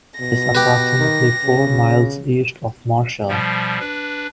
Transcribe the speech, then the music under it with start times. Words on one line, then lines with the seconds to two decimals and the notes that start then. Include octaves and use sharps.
It is approximately four miles east of Marshall.
0.20 B2 A#6
0.55 G4 B4
0.98 D#3
1.44 C#3
3.28 B2 F3 G3
3.80 D4 B4